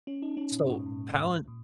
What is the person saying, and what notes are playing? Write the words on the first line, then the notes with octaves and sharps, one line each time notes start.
So, Palant
C#4
D#4
C#4
A#2
G#2
A#2
G#2
F#2
G#2
A#2